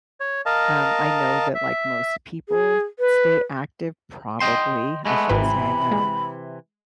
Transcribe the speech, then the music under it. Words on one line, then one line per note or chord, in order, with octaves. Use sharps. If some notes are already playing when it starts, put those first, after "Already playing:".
Um, I know that, like, most people stay active, probably, I shouldn't say I know,
C#5
A#4 D#5 F5 A5
E5
G#4
B4
D#5 G5 C6
G#3 A3 B3 B5
G#1 G#2 C3 E3 B4
G#3